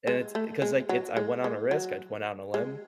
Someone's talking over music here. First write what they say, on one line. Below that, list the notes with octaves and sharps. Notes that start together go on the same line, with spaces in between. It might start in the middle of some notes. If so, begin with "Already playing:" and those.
and it's cause, like, it's I went on a risk, I went out on a limb,
G#3
A3
G#3
F#3
G#3
G#3
F#3
G#3